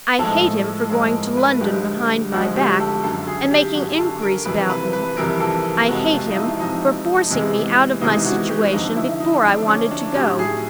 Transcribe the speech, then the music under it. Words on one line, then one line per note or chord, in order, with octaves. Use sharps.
I hate him for going to London behind my back, and making inquiries about me. I hate him for forcing me out of my situation before I wanted to go.
A2 F3 G#3 A4
A2 F3 G#3 A4
A#4
B4
D2 D3 F3 G#3 G4
D2 D3 F3 G#3 F#4
G4
A4
F#2 D3 F#3 A4
G#4
G4
F#2 D3 F#3 F#4
A4
A#4
F2 C3 E3 G3 B4
B4
B4
F2 C3 E3 G3 A#4
A4
F2 C3 F3 G#3 F#4
F4
D#4
E4
F2 C3 F3 G#3 D#4
E2 C3 E3 G#3
E2 C3 E3 G#3 D#4
F#4
G4
F2 D3 F3 D#4
E4
D#4
F2 D3 F3 D4
C#4
D4
A2 F#3 G4
G#4